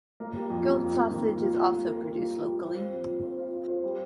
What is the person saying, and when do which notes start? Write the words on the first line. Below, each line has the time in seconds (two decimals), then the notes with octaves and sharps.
Goat sausage is also produced locally.
0.20 A#3
0.35 G3
0.50 F2
0.65 G3
0.80 F2
0.96 A#3
1.11 D#3
1.26 F2
1.40 F4
1.57 G3
1.71 A#3
1.87 A#4
2.01 F4
2.16 G3
2.32 F4
2.47 G3
2.61 C5
2.77 C4
2.92 F3
3.07 C4
3.23 C5
3.38 F4
3.53 F4
3.68 C5
3.84 G3